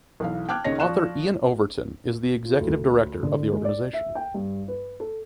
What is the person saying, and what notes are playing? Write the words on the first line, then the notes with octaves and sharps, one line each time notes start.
Author Iain Overton is the Executive Director of the organisation.
B1 E3 F5
G5 A5 D6 F6 F#6 G#6
C#2 D#3 C#4 C#5 D#5 A#6
F3 D5 F5 C#6 F#6 E7
F4
D2
D3
G#3
D5
E5
G5
G2
B4
A4